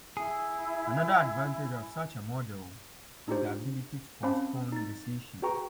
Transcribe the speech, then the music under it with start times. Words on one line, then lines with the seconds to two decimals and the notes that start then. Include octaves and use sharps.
Another advantage of such a model is the ability to postpone decisions.
0.17 E4 G#4
3.28 D4 D#4 F4 G4 C5
4.23 C4 C#4 C5 F5 A5 B5
4.72 D#4 A6
5.42 F#4 G#4 B4 G5 A#5 C#6